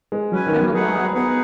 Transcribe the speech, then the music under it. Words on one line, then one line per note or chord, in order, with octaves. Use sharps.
I am alive.
G#3
F#3 C#4 B4 G#5
D#3
F#3
F#3 D#4 G#4 B4 F#5
B3 D#4 G#4 B4 F#5